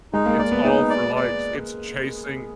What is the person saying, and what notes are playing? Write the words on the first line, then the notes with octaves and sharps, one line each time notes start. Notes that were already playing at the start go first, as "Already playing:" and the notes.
It's all for, likes, it's chasing
G#3 D#4
A#3
A#3 D5
B3
D#4 G#4
D5
D5